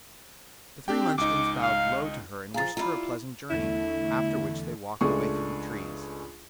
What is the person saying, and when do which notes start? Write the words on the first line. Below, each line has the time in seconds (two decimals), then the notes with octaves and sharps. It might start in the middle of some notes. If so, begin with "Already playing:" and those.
The three Munchkins bowed low to her and wished her a pleasant journey, after which they walked away through the trees.
0.88 C4 D4 G4 G5
1.18 C#2 D#4 D6
1.63 F5
2.54 F3 G#4 F5 A#5 A6
2.77 G3 E4 F4 A#5 B5
3.50 E2 D3 A3 E4
5.01 C#2 G#3 A3 D4 G#4 C#6